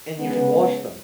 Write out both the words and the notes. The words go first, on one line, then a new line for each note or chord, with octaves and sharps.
And you can wash them.
C#3 G#3 B3